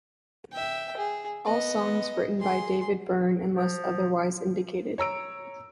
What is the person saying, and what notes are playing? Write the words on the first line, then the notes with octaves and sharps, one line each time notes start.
All songs written by David Byrne unless otherwise indicated.
E5 G5
G#4
B3 D#5
G#4 C6
F3
C#5 A#5 E6 D7